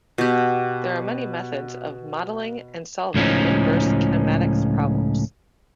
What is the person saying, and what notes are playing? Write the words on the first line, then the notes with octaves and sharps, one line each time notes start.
There are many methods of modelling and solving inverse kinematics problems.
B2 G4
C#2 A2 F3 C#4 D#4